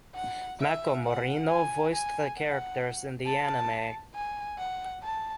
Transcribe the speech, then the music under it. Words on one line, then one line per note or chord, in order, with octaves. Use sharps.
Mako Morino voiced the characters in the anime.
F#5
E5
F#5
G#5
G#5
F#5
A5
G#5
F#5
A5